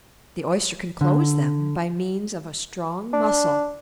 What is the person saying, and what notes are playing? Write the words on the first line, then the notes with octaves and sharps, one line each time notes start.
The Oyster can close them by means of a strong muscle.
D3
D4